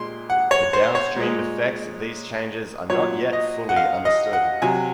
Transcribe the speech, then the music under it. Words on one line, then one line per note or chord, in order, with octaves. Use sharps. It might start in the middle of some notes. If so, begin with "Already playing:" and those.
The downstream effects of these changes are not yet fully understood.
Already playing: A#2 G#3 C6
F#5
C#5
C5
C#5
A#2 G#3
A#2 F#3 C#5
D#5
F#5
F5
D#5
F#5
C3 F#3 G#5